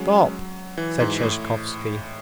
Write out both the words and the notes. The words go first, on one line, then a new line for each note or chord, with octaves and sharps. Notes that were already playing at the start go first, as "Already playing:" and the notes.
"Stop!" said Sheshkovsky.
Already playing: F#3 G#3 C#4
E3
G#2
A2